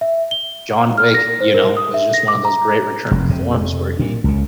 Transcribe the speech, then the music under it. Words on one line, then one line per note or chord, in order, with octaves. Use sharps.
John Wick, you know, was just one of those great return to forms where he
E5
G7
F6
A#6
C5
A#4
D#6
E5
A#6
D6
A#5
F1
F2 C3
A#2
C#2 C#3